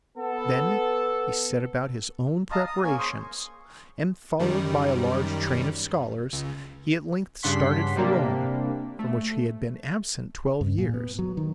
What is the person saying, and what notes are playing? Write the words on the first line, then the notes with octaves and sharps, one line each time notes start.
Then he set about his own preparations, and, followed by a large train of scholars, he at length started for Rome, from which he had been absent twelve years.
B3 A4
D#5 F5 A5 A#5
D#6
A#3 C#4 G#5
G#4 C5 C#6
F#2 D#3 G3
C#2
G2 C#3 D4 F#5 C6 B6
C3 G3 A#3 D4
A3
G2
A#2
B3
F#3
D#3